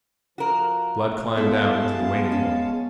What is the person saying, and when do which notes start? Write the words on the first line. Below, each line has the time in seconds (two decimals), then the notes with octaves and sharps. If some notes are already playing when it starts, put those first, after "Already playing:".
Blood climbed down into the waiting boat.
0.38 F3 F#4 A#4
1.36 G#3 B3 E4 A4 F5 A5
2.32 C#4